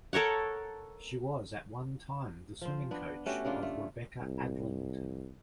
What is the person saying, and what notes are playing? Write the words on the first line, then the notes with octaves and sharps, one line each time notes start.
She was at one time the swimming coach of Rebecca Adlington.
A4 A#4 C#5 F#5
F3 C5
B3 D4
A3 C#4 F#4 G4
C#3 A#3 D4 F4
A3
C2